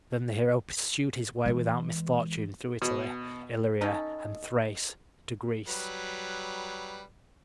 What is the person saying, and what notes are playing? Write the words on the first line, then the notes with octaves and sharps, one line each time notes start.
Then the hero pursued his way without misfortune through Italy, Illyria and Thrace to Greece.
E3 G#3
B2
C#4 D#4 A4
F#3 G3 B4